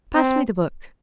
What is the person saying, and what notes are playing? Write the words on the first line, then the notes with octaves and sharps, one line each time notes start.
Pass me the book.
C4